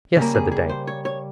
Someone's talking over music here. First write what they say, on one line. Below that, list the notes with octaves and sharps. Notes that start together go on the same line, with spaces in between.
"Yes," said the dame.
C#3 G3 A#3 G4
G#4
G#4
C5
C#5
C#5